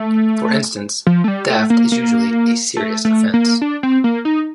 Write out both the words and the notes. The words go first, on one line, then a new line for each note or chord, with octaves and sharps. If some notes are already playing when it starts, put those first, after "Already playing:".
For instance, theft is usually a serious offence.
Already playing: A3
F3
A3
G3
A3
A#3
A#3
A3
A3
A#3
D4
C4
A#3
D#4